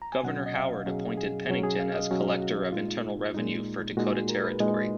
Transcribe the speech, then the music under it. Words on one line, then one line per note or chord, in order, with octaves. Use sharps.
Governor Howard appointed Pennington as collector of internal revenue for Dakota Territory.
A#5
G#5
B2 F#3 C#4 F#5
D#5
F5
B2 F#3 C#4 G#4
G#4
B2 F#3 C#4 G#4
G#4
F5
F5
D#5
B2 F#3 C#4 F#4
F#4
A#2 G#3 D#4 F4
A#2 G#3 D#4
A#2 G#3 D#4 F#4
G#4
A#4
B4
A#2 G#3 D#4 D#5